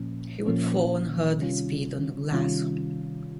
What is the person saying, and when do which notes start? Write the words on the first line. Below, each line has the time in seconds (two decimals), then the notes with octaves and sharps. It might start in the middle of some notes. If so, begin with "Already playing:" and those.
He would fall and hurt his feet on the glass.
Already playing: A#2 F3 A#3 C#4
0.46 A#2 F3 A#3 C#4
1.38 C3 D#3 G3 C#4 F4
2.32 C3 D#3 G3 C#4 F4